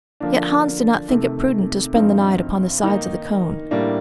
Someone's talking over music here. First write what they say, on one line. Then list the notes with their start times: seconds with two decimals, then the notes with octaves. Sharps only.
Yet Hans did not think it prudent to spend the night upon the sides of the cone.
0.20 D3 F3 A#3 D4
1.08 C3 D#3 A3
1.95 G2 F3 C4 D#4
2.83 D#3 A#3 D#4
3.71 A2 G3 A#3 D4